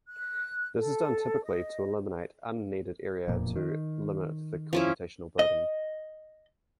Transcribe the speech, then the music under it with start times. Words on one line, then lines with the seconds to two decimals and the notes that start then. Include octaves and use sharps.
This is done typically to eliminate unneeded area to limit the computational burden.
0.07 F#6
0.78 A4
1.43 D#5
3.28 E1 F2 A#2
3.56 D#3
4.73 F3 C#4 E4
5.39 D#5